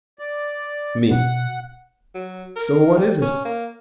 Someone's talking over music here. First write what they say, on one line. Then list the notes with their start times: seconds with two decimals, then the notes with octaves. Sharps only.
ME: So what is it?
0.19 D5
1.11 B2 F#5
2.15 F#3
2.56 A#4
2.96 G3
3.22 C#4
3.45 A#3